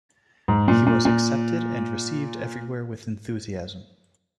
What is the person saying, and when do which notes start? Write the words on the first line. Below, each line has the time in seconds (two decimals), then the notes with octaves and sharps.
He was accepted and received everywhere with enthusiasm.
0.48 G#2
0.68 A#2
0.87 A#2
1.05 A#2